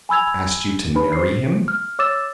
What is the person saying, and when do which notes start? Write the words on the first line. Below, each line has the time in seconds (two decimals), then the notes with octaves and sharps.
"Asked you to marry him?"
0.09 G#5 B5 E6 G#6 F7
0.95 D4 D#4 B4 B5
1.13 C5 C7
1.68 F6
1.99 C#5 D6 E6 A6 E7